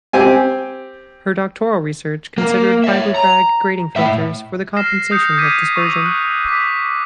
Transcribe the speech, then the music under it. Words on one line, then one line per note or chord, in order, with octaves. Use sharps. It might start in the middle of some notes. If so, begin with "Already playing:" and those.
Her doctoral research considered Fiber Bragg grating filters for the compensation of dispersion.
C4 G4 G#5
A#3
C#5 E5
A#5
A2 E5
F6 A#6 C7 E7
D#6 G6 C#7
D6 G#6 B6 D#7
C#6 D#6 E6
F#6
D6 B6